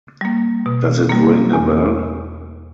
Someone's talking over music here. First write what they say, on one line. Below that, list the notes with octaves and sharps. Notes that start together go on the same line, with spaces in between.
Does it ring a bell?
G3 A#3
B2
G3 A#3
E2